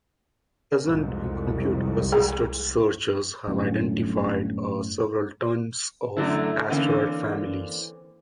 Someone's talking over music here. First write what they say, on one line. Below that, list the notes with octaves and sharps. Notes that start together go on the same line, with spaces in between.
Present day computer-assisted searches have identified several tens of asteroid families.
C2 F2 G#2
G#4
G1 F#2 A2
F#2 D3 F#3 A3 D4 E4
D3 E3 A#3 C4 C#4